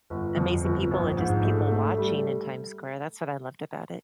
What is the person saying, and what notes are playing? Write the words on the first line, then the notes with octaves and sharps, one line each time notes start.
amazing people and just people watching in Times Square, that's what I loved about it.
G1
F2
G1
A#1
G#2
A3
A3
G3